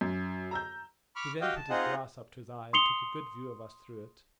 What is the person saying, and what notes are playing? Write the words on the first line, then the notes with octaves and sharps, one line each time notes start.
He then put his glass up to his eye and took a good view of us through it.
F#2
A#5 E6 G6
B5 C#6 D6 F6
F#4 G4 D#5 F5 G5
A5
C4 D#4 F4 G#4 D#5 F#5
C6 D#6 C7 C#7 F7 G7